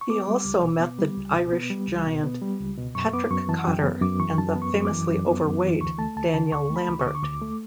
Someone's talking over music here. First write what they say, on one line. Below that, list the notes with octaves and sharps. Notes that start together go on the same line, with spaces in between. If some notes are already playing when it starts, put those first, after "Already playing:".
He also met the Irish giant Patrick Cotter and the famously overweight Daniel Lambert.
C#6
B3 D6
G3
C#2
B2
B3
G3
C#2
B2
B3
G3
C#2
B2
B3
G3
C#2
B2
F#2 C#6
B3 D6
F#2 C#6
E3 A5
F#5
F#2 G5
B3
F#2 D6
E3 C#6
F#2 A5
B3
C#6
F#2
D6
E3
F#2
B3
F#2
E3
D2 C#6
A3 A5
D2 A5
D3 A5
D2 C#6
A3
B5
D2
C#6
D3 D6
C#6
D2 D6
A3